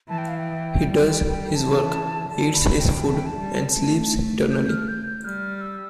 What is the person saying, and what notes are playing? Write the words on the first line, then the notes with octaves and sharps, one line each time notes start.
He does his work, eats his food, and sleeps eternally!
E3 A5
G5
F5
G5
G3
E3 A5
D3 A5
B5
G5
E3 A5
G5
A5
G3
A3
G6
F6
G6
G6
G3 F6
E6